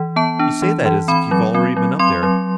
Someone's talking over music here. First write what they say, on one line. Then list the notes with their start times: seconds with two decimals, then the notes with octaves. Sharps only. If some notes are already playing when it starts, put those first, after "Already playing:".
"You say that as if you've already been up there."
Already playing: E3
0.16 B3 A5
0.39 D4
0.62 E3
0.86 E3
1.08 C4 B5
1.31 F#3
1.55 C4
1.77 F#3
1.99 C4 C6
2.23 F#3